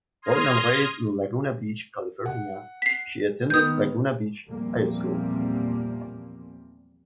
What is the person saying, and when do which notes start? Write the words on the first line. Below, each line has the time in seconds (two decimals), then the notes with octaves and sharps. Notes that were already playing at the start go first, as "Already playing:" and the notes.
Born and raised in Laguna Beach, California, she attended Laguna Beach High School.
0.22 C6 D#6 F6 G#6 A#6
2.26 F#5
2.82 B6 C7
3.50 D#3 B3 D#6 G6
4.48 E2 A#2 F3 G3 A#3 C4